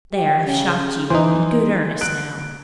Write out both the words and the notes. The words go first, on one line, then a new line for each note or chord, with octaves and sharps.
There, I've shocked you in good earnest now.
G4
C#3
E3 D#4 C5
F#6 D7